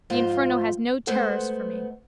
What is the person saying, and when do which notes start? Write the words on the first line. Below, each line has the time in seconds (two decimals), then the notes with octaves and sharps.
The inferno has no terrors for me.
0.10 F2 G#2 F4 C5
1.07 G#3 A3 B3 C5 F#5